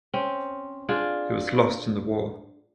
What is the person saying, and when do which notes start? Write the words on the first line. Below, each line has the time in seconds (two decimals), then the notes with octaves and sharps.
It was lost in the war.
0.14 C4 C#4
0.89 D4 F4 G#4